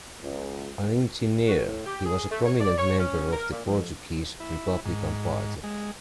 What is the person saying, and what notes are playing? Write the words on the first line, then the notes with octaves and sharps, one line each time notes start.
An engineer, he was a prominent member of the Portuguese Republican Party.
C#2
F#4
A2
G4
G#4
A3
C#5
D5
C#5
C#4
A#4
A#2
F2
E4
G#2
G#3